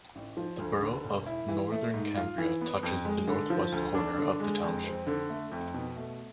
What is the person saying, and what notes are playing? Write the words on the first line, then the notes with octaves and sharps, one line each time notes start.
The borough of Northern Cambria touches the northwest corner of the township.
A1
F3
D2
D3
E1
E4
E3
A3
G#2
F4
E3
B3
F2
G#3
D3
F3
D2
D4
D3
G#3
F2
C4
D3
A3
F2
B2
A3